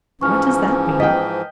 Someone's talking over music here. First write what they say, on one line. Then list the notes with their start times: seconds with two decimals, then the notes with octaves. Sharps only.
"What does that mean?"
0.21 G#2 E3 F3 C#4 C#6 F6
1.00 D#5 G5 F6 B6